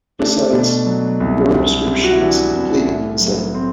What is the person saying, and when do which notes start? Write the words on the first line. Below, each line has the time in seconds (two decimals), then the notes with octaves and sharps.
"Besides, your description is incomplete," he said.
0.19 A3 D4
0.53 B2
0.86 F#3
1.20 C2
1.54 C2
1.87 C3
2.04 F#4
2.12 E4
2.21 E3 D4
2.54 C2
2.87 A2
3.21 F#3
3.54 A3 C4